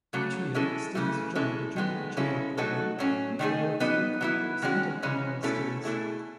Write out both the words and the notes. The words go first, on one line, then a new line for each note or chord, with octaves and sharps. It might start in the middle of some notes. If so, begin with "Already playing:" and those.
Each year, students join the Junior Achiever programme which develops young peoples' entrepreneurial skills.
C#3 F#3 A3
G#3 C#4 E4 A4
C#3 E3 A3
G#3 C#4 E4 A4
D#3 G#3 B3
C#3 G#3 C#4 E4 A4
F#3 A3 D#4 F#4 A4
A2 F#3 C#4
D#3 A3 D#4 G#4
F#3 B3 D#4
F#3 B3 E4
D#3 G#3 C#4 F#4
C#3 E3 G#3 C#4
B2 A3 C#4 E4 A4
B2 A3 E4 G#4